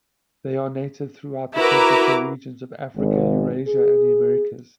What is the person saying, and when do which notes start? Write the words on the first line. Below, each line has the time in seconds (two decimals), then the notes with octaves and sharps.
They are native throughout the temperate regions of Africa, Eurasia, and the Americas.
1.56 E4 F#4 A#4 B4 A#5 D6
2.96 G#1
3.67 G#4